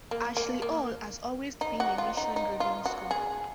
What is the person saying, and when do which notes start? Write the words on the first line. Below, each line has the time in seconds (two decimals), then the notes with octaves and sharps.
Ashley Hall has always been a mission-driven school.
0.11 A#3
0.37 A#3
0.62 A#3
1.61 D#4
1.80 F#4
1.98 F4
2.17 D#4
2.36 D#4
2.60 F4
2.86 F#4
3.11 G#4